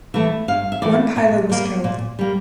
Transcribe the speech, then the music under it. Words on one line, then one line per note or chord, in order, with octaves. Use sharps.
One pilot was killed.
E3 A3 E4 E5
G2 F5
E5
E3 A3 E4 D5
A#2
G3 A#3
A#2
G3 A#3